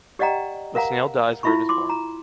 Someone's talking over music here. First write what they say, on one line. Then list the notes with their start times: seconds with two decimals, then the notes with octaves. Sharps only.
The snail dies where it is born.
0.19 G4 D5 D#5 F#5 G5 A#5
0.75 A#4 F5 F#5 A#5
1.43 E4 F4 E5 B5 C#6
1.69 C6 D6
1.89 A#5